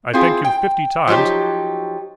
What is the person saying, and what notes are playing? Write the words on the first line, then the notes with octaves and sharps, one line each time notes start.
I thank you fifty times.
C4 E4 F4 G#4
G5
F3 F#3 D#4 G4